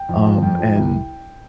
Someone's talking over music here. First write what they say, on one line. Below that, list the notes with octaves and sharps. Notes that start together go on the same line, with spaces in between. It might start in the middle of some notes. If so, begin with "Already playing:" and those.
Um, and,
Already playing: G5
F2
F3
F2 G5
F3
C2